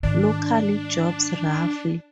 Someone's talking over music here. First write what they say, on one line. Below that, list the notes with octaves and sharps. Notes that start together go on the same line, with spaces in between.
Local jobs roughly.
G#2 D#3 D4